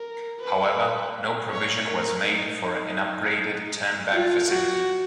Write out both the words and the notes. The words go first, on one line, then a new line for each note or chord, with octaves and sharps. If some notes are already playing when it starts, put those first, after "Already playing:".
However no provision was made for an upgraded turnback facility.
Already playing: A#4
B4
C#5
A#4
D#4
F4
F#4